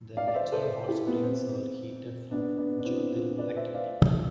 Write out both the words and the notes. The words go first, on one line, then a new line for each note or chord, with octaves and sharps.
The natural hot springs are heated from geothermal activity.
D5 F5
D5
C5 E5
A4 C5
E4 G4
B3
C4
B3 D4
B3 D4
D4
C4 E4
D4 F4
B4 D5
C5 E5
D5 F5